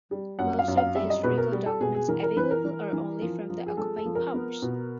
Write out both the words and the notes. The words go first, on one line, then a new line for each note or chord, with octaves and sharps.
Most of the historical documents available are only from the occupying powers.
G3
F#2 F#5
F5
F#2
F5
G3 E5
D#5
B2 B4
A#4
G3
A4
B2 G#4
G#4
E3 A#4
A#4
E3 B4
A#4
E3
E3
F3
F3
G#4
G#3 A4
A4
F3
A#4
B3
B2